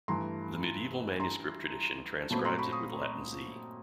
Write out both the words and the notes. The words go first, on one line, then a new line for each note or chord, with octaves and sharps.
The medieval manuscript tradition transcribes it with Latin Z.
G2 E3 A3 A#5 C6
A#5 C6
A#2 F#3 A3 C4 A5 B5
A#5 C6
B5 C#6
C#6 D#6